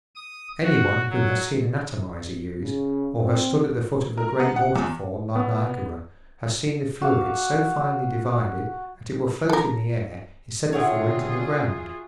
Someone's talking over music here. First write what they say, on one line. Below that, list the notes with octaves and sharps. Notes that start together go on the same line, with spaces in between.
Anyone who has seen an atomizer used or has stood at the foot of a great waterfall, like Niagara, has seen the fluid so finely divided that it will float in the air, instead of falling to the ground.
D#6
F#4
F#3
C#3
C4
A#4
B3
F#5
E2
B3
F#4 F5 D6
A4 A#4
D3 F4 F#4 G#4 C#5 E5 F#5 G5